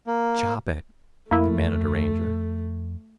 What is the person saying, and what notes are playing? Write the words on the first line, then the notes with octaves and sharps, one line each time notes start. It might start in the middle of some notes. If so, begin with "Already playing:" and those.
"Chop it!" commanded a Ranger.
A#3
F2 A3 A#3 E4